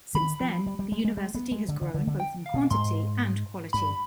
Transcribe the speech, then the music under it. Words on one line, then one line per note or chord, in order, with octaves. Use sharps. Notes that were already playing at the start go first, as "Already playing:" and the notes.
Since then, the university has grown both in quantity and quality.
D#3 B5
F3
G3
G3
G#3
G#3
G#3
B3
G#3
D3
D3
D3
D3
G5
F5
B2
G#2 C6
G2 B5